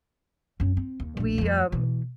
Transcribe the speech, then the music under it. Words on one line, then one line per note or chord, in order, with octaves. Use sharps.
We, um
F#2 C#4
C4
D#2
A#1 D#2
F2 A3
B2 E3